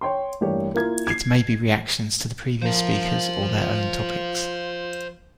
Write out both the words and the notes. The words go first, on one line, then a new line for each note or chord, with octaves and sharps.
It may be reactions to the previous speakers or their own topics.
C#5 G5 C6
A1 G2 A#3 G4 C#5
A#3 E4 F4 A#4 G#6
G#6 C7
F3 F4 A#4 C5 F5